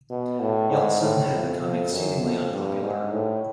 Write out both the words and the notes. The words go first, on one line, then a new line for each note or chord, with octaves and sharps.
Yeltsin had become exceedingly unpopular.
B2
A2
G#2
A2
F2
F2
F#2
F2
G2
G#2
A2